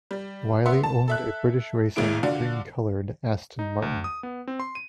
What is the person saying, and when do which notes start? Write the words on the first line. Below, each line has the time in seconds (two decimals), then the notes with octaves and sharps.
Wiley owned a British racing green-colored Aston Martin.
0.11 G3
0.66 B3 E5 F#5 C6
0.84 A5
1.08 A4 E5 F#6
1.96 G#1 D#2 G#3 E4 D7
2.23 D3 D4 F4 F#4
3.59 D#4
3.82 D2
4.04 D#6
4.23 B3
4.47 C4
4.60 C6
4.75 D#7